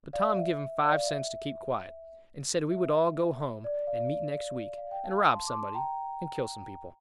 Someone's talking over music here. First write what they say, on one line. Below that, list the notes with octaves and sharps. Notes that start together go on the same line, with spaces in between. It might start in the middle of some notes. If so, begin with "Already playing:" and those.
But Tom give him five cents to keep quiet, and said we would all go home and meet next week, and rob somebody and kill some people.
D5 F5
E5
D5 F5
E5
E5
D5
D5 F5
F5
G5
F5 A5
A5 C6
D6
A5 C6
G5 A#5